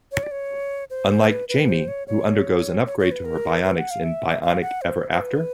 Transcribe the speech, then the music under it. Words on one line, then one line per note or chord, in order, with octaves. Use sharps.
Unlike Jaime, who undergoes an upgrade to her bionics in Bionic Ever After?
C#5
D5
C#5
C5
B4
B4
C5
C#5
C#5
C#5
C#5
B4
A#4
B4
F#5
F5
E5
F5
F#5
C5
C5
B4